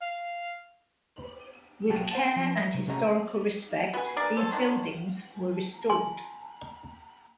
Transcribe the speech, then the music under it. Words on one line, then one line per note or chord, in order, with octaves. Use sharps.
With care and historical respect these buildings were restored.
F5
B1 F#3 A#3 G4 A5
C5 F#5 A5
F3
E5
C3
C3 C#4 F#4 G#4 D#5 A#5
B3 F#4 B4 G#5
D4 A#4 D5
A4 C5 C#5 A5
D3 D#3 D4
G#5 C6